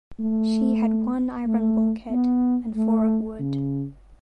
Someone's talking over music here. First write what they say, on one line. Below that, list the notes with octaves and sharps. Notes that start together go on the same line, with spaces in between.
She had one iron bulkhead and four of wood.
A3
A3
B3
A3
C#3